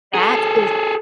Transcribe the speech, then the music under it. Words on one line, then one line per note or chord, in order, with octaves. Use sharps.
That is
G#4 A4